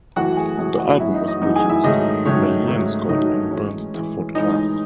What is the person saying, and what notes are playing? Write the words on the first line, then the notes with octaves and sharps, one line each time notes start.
The album was produced by Iain Scott and Bunt Stafford Clark.
F#2 E3 A3 F#4 F#5
G#4 G#5
F#2 E3 A3 G#4 G#5
F#4 F#5
F#2 E3 A3 E4 E5
D#4 D#5
D#4 D#5
F#2 E3 A3 D#4 D#5
G#4 G#5
E4 E5
G#2 D#3 F#3 A3 D#4 D#5
G#2 D#3 F#3 A3 C#4 C#5
G#2 D#3 F#3 A3
G#2 D#3 F#3 A3 D#4 D#5
A2 E3 G#3 C#4 C#5
A2 E3 G#3
A2 E3 G#3 D#4 D#5